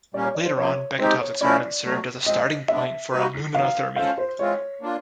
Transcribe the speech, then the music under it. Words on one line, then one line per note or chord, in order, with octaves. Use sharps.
Later on, Beketov's experiments served as a starting point for aluminothermy.
A#2 G3 A#3 C#4 D5
C#5
D5
C5
C#3 F3 A#3 C#5
G#3 C4 D#4 G4 C5
C#5
F3 A3 C#4 E4 D5
B2 F#3 A3
F3 G#3 C4 D#5
G#3 B3 D4 E5
G3 A#3 D#4 F#4 B4
D#3 F#3 B3 F5
G#3 C#4 F4 A4 C5 F5
C5
E3 G#3 C4 F4 C#5
A#3 D4 F4